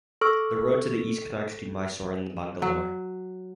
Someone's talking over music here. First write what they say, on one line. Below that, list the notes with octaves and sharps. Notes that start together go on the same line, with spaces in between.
The road to the east connects to Mysore and Bangalore.
A4 C#6 E6 F6
F#3